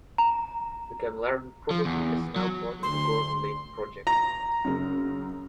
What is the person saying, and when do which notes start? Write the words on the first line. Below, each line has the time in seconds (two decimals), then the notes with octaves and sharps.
The Camlaren property is now part of the Gordon Lake Project.
0.18 A#5
1.70 F3
1.85 E2
2.36 F#3
2.83 D2 C6
4.07 A#5
4.64 F#2 C#3